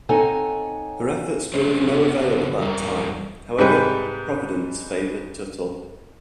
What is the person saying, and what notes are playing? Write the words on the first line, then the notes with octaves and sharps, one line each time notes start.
Her efforts were of no avail at that time; however, providence favored Tuttle.
C4 D#4 A4 C#5 F#5 G#5
F#3 A3 C5 C#5
C#3 B3 F#4
E2 G3 A#4
G#2 C3 G3 B4